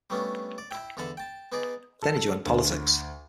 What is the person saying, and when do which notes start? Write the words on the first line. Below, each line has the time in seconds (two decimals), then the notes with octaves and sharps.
Then he joined politics.
0.10 G3 A3 B3 C#4 D4
0.58 D5
0.71 E4 E5 G5
0.97 E2 D3 A4 A5 B5
1.17 G5 A5
1.52 B3 D#4 G#4 D5
2.03 A4
2.46 D2